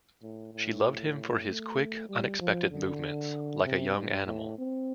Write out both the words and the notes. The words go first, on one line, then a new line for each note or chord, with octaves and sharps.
She loved him for his quick, unexpected movements, like a young animal.
A2
A2
A3
G3
F3
D3
C3
G2
A2
C4